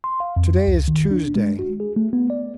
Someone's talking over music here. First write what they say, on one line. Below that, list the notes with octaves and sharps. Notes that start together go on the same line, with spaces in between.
To-day is Tuesday.
C6
F5
F2
C#2
D#3
D4
G#3
F#4
G#4
A3
B3
D5